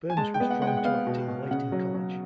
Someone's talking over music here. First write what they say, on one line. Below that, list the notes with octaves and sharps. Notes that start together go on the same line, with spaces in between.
Burns was drawn to acting late in college.
G#5
G#3 A5
G5
B3
F#5
G#3 F#5
G5
F#5
B3 F5
B2
B2
C#3 F#5
F#3
F#3